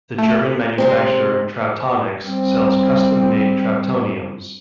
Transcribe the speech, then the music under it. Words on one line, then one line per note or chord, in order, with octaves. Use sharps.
The German manufacturer trautoniks sells custom made Trautoniums.
A3
C3 G#3 C4
G3 C4